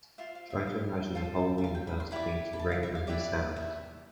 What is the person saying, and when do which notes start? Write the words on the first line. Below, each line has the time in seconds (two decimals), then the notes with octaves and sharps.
Try to imagine the whole universe beginning to ring and resound.
0.18 F4 C5 E5
0.35 F5
0.50 E5
0.67 F5
1.15 F4 A4 C5
1.58 E5
1.64 F5
1.75 G5
1.87 B5
2.00 C6
2.11 E4 G4 D5 B5
2.53 B5
2.59 A5
2.72 F5
2.83 E5
2.95 F5
3.07 E4 G4 B4 D5 E5
3.56 E5